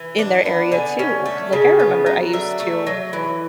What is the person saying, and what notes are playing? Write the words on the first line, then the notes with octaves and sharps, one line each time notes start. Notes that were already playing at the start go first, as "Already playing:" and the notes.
in their area too, 'cause, like, I remember I used to
Already playing: E3
D4
B3
D3 G#5
C#4
A3
C#3
B3
F#3
D3 E5
A3
F#3
E3